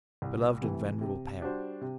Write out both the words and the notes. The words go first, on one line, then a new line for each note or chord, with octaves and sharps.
Beloved and venerable parent!
C2
C3 E3 A3
C3
G3 D4 F#4 C5
C3